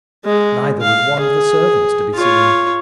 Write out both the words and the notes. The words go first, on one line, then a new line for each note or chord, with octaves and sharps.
Neither was one of the servants to be seen.
G#3
F5
G#4
F4 C#5